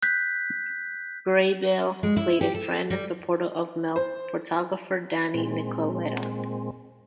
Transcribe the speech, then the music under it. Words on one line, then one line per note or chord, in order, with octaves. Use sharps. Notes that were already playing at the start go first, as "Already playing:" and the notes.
Grabeel played a friend and supporter of Milk, photographer Danny Nicoletta.
F#6 G6 B6
G#3
E4
G4
A4
G3
C5
A#2 G#3 C4